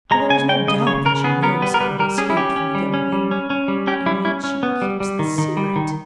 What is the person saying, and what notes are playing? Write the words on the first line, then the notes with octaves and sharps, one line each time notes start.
For there is no doubt that she knows how he escaped from The Yellow Room, and yet she keeps the secret.
G#3 A#5
C#3 G#5
G#3 G5
C#3 D#5
C#3 C#5
C#3 A#4
B3 G#4
B3 A#4
G3 B4
A#4
G3 B4
G3 A#4
C#4 G#4
E4
C#4 G4
C#4
G3
C#4
G3
C#4
C#4
G3
C#4 G4
G3 E4
C#4 E4
C#4
B3
G3
G3
D#3
D#3
G3
D#3